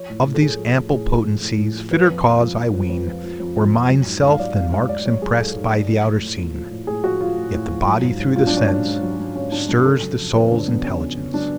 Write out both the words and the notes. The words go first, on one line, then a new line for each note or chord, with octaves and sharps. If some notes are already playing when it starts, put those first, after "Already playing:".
Of these ample potencies Fitter cause, I ween, Were Mind's self than marks impressed By the outer scene. Yet the body through the sense Stirs the soul's intelligence.
Already playing: F3 C#5
A2
A2
A4
F3 G#4
F3
A2
A2 G#4
F3
F3
A2
A2
F3
F3 B4
F2
F2
F3
F3
F2
F2
F3
F3
F2
F2
F3
F#3
G#2
G#2
F5
F#3 D5
F#3 F5
G#2 F5
G#2 D5
D5
F#3 C#5
F#3 G#4
G#2 A4
G#2
F#3
F3
A2
A2
F3
F3
A2
A2 G#4
F3 F#4
F3 F4
A2
A2
F3
F#3
G#2
G#2
F#3 F4
D4
F#3 C#4
G#2 D4
G#2
F#3
F#3
G#2 C#4
G#2 D4
F#3 D4
C#3 A4
F#3
F2
F2 B4
C#4
C#3 D4
F#3 B3
F2 C#4
F2
C#3
F#3 D4